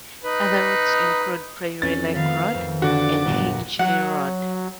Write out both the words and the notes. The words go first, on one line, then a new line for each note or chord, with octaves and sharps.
Other routes include Prairie Lake Road and Hingeley Road.
D#4 B4
F2 C#4 A6
D#3 A3 B3 F5
F2 A4
D3 F#4 D6 A6
G1 D2 A#2 A#3
F#3 F#5